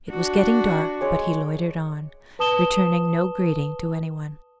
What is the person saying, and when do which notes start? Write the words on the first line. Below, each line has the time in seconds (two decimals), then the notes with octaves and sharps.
It was getting dark, but he loitered on, returning no greeting to any one.
0.10 D4 F#4
1.01 G#3 C#5 D6
2.39 B4 A5 D#6 E7 G7